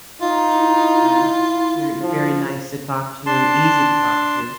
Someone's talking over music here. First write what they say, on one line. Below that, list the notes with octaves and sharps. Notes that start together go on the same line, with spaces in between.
Um, you're you're very nice to talk to, easy to talk to
D#4 F4
E4
F3
D4 A5 C6